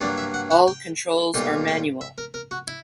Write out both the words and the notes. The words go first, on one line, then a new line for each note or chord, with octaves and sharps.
All controls are manual.
G2 F#3 A#3 D5
E5
F#5
F#5
G5
B1 A#2 G3 A#3 G5
G5
E5
A#4
A#4
F#4
E4